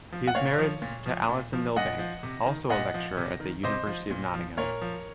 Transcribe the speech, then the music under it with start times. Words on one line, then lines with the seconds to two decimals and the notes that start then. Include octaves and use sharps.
He is married to Alison Milbank, also a lecturer at the University of Nottingham.
0.12 F3
0.27 F#5
0.35 A#2 C#5 F5
0.58 F3
0.82 A#2
1.06 F3
1.29 A#2
1.53 F3
1.76 A#2 D#5 F#5
1.99 F3
2.23 C3
2.46 D#3
2.70 A#2 D#5 F#5
2.94 F3
3.17 C3
3.40 D#3
3.64 C3 C5 D#5
3.87 F3
4.10 A#2
4.34 F3
4.57 A#2 A#4 C#5
4.81 F3